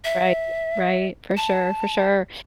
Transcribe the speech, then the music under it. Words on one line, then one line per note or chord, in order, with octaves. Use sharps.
Right, right, for sure, for sure.
E5
A5